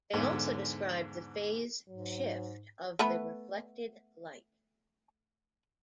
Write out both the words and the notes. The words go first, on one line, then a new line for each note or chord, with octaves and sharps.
They also describe the phase shift of the reflected light.
E2 G#2 D3
G#2 F#3
A3 B3 B4